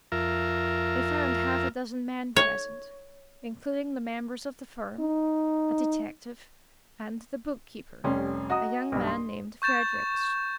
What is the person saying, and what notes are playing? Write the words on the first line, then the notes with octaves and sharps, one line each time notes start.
They found half a dozen men present, including the members of the firm, a detective, and the bookkeeper, a young man named Fredericks.
F2 F4 A#4 E5
C#5
D#4
F1 G3 C#4 C6
F#4 D#5 A#5 D#6
B1 G2
C6
C#6 G6 A6 E7